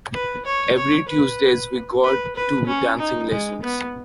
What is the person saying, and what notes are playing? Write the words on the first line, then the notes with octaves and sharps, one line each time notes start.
Every Tuesdays we go to dancing lessons.
B4
C#5
C#5
B4
B4
B4
C#4
D#4
G#3
B3